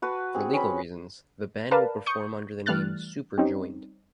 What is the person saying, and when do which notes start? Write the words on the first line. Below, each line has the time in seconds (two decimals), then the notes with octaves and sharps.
For legal reasons, the band will perform under the name "Superjoint".
0.02 F#4 B4 A5
0.34 C4 G#4
0.53 C#4 B4 B5
1.71 A#4 B4 D5 F5 A5
2.06 C#6 D#6 G6 C#7
2.66 E3 G3 A3 F6 F#6 A6
3.38 G3 C4 C#4 D#4